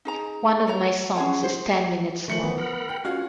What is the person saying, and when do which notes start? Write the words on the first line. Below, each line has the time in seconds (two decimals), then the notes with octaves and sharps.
One of my songs is ten minutes long.
0.05 D#4 G#4 A#5
0.67 F#4 C#5 A#5
1.16 C#4 G#4 C#5 F#5
1.43 C5
2.28 D#3 F3 A3 C#7 F#7
2.43 B3
2.58 A#4 F#5 B5
2.89 G5
3.04 C#4 F4 F#4 F5